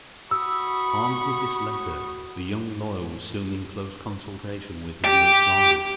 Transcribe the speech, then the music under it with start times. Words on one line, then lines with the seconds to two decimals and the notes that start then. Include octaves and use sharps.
Armed with this letter the young lawyer was soon in close consultation with his new client.
0.31 F#4 B5 C#6 D#6 E6
5.05 G4